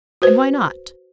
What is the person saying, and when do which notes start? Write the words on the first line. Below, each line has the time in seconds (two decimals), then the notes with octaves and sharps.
"And why not?"
0.22 F#4 B4 C5